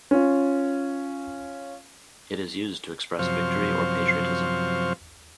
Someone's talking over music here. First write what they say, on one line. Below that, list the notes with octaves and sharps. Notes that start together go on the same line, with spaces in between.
It is used to express victory or patriotism.
C#4 F4
F#2 C3 F3 C5 F5 C#6